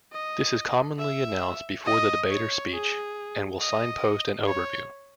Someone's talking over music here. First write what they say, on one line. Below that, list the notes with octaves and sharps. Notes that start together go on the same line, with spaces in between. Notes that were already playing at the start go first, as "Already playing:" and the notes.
This is commonly announced before the debater's speech and will signpost an overview.
D#5
E5
D#5
C#5
G#4
D#5
C#5